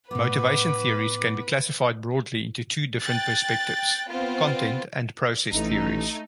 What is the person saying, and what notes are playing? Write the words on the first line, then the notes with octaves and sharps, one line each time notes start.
Motivation theories can be classified broadly into two different perspectives: Content and Process theories.
A2 B3 B4 D6
G5 F#6 A6
B3 C4 F4
A1 A3 D#4